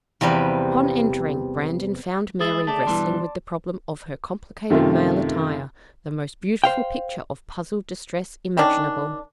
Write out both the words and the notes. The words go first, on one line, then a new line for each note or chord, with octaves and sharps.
Upon entering, Brandon found Mary wrestling with the problem of her complicated male attire; the most beautiful picture of puzzled distress imaginable.
E2 C3 F3 G3 B4
G#3 E4 G#4 D#6 A6
A3 D5 A5
G2 B2 E3 C6
F#2 C3 D#3 A3 F4
C5 F5 G5
D#3 C#4 D4